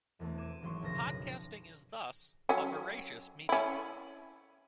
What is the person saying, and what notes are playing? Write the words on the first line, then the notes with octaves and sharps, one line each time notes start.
Podcasting is thus a voracious medium.
E1 E2 A3 C4
D6 G#6 D#7 E7
G#1 E3 F#3 G4 C6 C#6
F#1 B1 B2 D3 F3 A#6
D#4 B5
F#3 C#4
C#4 E4